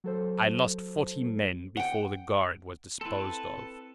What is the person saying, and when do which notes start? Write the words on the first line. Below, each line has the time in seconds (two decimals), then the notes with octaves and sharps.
I lost forty men before the guard was disposed of.
0.04 F#3 A4 C5
1.77 F#5 G5
3.01 C4 E4 A4 B4 A5